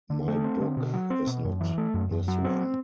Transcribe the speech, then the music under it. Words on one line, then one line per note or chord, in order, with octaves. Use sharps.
My book is not this one.
D3
A3
C4
D3
B2
F#3
C4
B2
F#2
E3
A3
F#2
F#2
F#3
C4